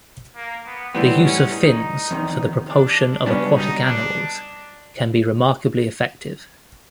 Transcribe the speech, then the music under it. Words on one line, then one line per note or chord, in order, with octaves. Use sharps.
The use of fins for the propulsion of aquatic animals can be remarkably effective.
A#3
B3
A2 E3 G3 B3 C4
C#4
D#4
E2 C3 D#3
D4
C#2 B2 G3 B3 C#4 D4
D#4
D4